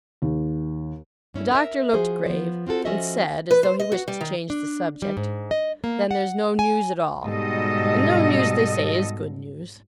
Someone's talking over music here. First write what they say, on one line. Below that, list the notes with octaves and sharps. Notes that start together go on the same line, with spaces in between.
The Doctor looked grave, and said, as though he wished to change the subject, 'Then there's no news at all; and no news, they say, is good news.'
D#2
G2 C#4 E4
A#4 E5
F3 F#4 G#4 C5
F3 B3
C4 F4 F#4 A4
F3 C#4 F#4 A4 D#5 E5
B4
C5
D#5
F#4
G3
D#3
D4
G3
G#2
D#5
A#3
F#5
G#5
G#2 B2 G3 A4 D#5